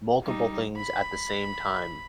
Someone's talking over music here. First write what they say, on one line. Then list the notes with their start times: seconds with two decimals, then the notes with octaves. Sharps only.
multiple things at the same time,
0.23 G3 D#4
0.77 B5